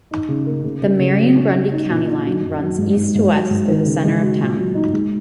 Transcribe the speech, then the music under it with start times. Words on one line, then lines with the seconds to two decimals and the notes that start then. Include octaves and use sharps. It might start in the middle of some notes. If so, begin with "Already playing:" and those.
The Marion-Grundy county line runs east-to-west through the center of town.
0.11 D#4
0.28 C#3
0.47 A#3
0.64 C#3
0.82 C#3
0.99 C#3
1.17 F#3
1.36 C#4
1.53 C#4
1.71 D#4
1.89 A#2
2.07 D#4
2.26 F#3
2.43 F#2
2.61 F#3
2.78 G#2
2.96 G#2
3.15 G#2
3.32 F#3
3.50 G#2
3.68 D#3
3.86 C#3
4.04 G#3
4.22 F#4
4.40 A#2
4.57 F#3
4.75 D#4
4.93 G#3